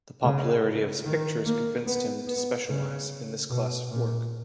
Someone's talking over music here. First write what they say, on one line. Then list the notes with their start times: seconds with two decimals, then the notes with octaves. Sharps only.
The popularity of his pictures convinced him to specialise in this class of work.
0.23 C#3
1.05 D#3
1.46 A#3
1.86 B3
2.27 B3
2.69 C#3
3.50 B2
3.91 A#2